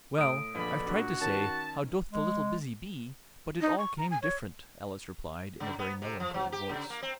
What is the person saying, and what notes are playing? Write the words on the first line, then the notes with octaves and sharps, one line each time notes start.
'Well, I've tried to say "HOW DOTH THE LITTLE BUSY BEE," but it all came different!' Alice replied in a very melancholy voice.
A2 D#6 D7
A#1 B2 D3 B5
A#2 D4 F#4
D#3 C#4 A5
G#3
D#4
C#6
A#5
G#5
C#5
C#3
B3
C3
F3
F#3
G4
C#3
A#3
C4